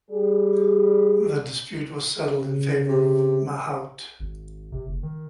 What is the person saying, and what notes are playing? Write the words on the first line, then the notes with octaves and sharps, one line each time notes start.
The dispute was settled in favour of Mahaut.
G3 G#4
C#3
C3
G#1
C3
F#1
D#3